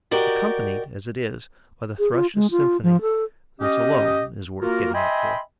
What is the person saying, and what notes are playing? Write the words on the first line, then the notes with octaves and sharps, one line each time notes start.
Accompanied as it is by the Thrushes' symphony, this alone is worth getting up for.
F#4 G4 A#4 D5 D#5
G#4
F4
G#3
F4
F3
A4
C#4 G4 D#5
A#3 F4 F#4 A#4
D#5 E5 G5 G#5 B5 C6